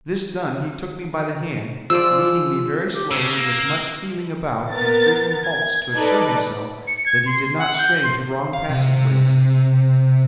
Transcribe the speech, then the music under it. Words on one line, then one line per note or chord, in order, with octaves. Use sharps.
This done he took me by the hand, leading me very slowly, with much feeling about and frequent halts to assure himself that he did not stray into wrong passageways.
F3 G#3 D5 E6
G4
C#3 E6
A#3
B3 A#4 A6
G#6
D#4 A4 B4 D5
C#7
G#6
C6
F#5
G6
C6
F5
C3